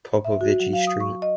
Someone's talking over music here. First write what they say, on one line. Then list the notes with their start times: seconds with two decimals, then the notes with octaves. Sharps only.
Popovici Street.
0.25 E5
0.41 F#4
0.60 F#3
0.73 F5
0.87 D#6
1.00 C#6
1.22 D#5